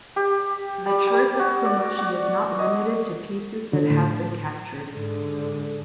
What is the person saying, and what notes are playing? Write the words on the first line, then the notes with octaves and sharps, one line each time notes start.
The choice of promotion is not limited to pieces that have been captured.
G4
G3
G4
F#4
D5
F#4
D#5
D3
A2
G#2 D3